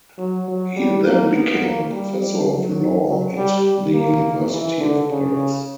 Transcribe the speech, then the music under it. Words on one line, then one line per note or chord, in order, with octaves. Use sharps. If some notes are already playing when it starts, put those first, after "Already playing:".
He then became a Professor of Law at the University of Paris.
F#3
F#3
G3
A#3
B3
A#3
G3
G3
F#3
F#3
G3
G3
A#3
E3
D3
C#3